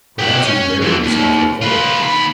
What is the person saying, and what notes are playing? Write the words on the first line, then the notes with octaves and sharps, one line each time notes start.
'Perhaps he's buried himself in the corn.'
G4 F#5
C#4
F2 E3
D#2
F4 B4
D#2 B5